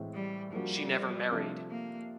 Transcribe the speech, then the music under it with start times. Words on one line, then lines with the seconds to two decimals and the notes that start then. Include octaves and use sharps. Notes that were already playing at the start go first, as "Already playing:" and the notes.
She never married.
Already playing: A2 E3 G#3 C4
0.14 G3
0.53 F3 G3 A#3 D4 F#4
1.31 C3 F3 A3 D4
1.70 A#3